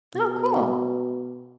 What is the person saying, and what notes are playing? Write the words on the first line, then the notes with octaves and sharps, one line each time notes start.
Oh, cool.
B2